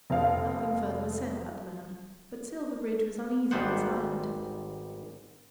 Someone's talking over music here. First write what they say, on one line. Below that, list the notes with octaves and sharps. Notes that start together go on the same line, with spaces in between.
Nothing further was said about the man, but Silverbridge was uneasy and silent.
F1 C5 F5
G#1 G#2 G3 B3 C5 F#5